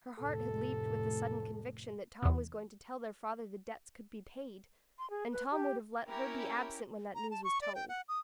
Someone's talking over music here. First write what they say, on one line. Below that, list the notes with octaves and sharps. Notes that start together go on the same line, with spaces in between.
Her heart had leaped with the sudden conviction that Tom was going to tell their father the debts could be paid; and Tom would have let her be absent when that news was told!
F1 A2 A4
E2 C3
C6
G#4
B4
G4
C#4 E4 G4 A#4
A#5
A5
C#6
D5
G5
F#5
D#6